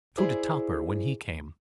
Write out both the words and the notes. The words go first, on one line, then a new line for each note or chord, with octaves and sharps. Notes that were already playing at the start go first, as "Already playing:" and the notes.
So did Topper when he came.
E4 G#4 C5 D5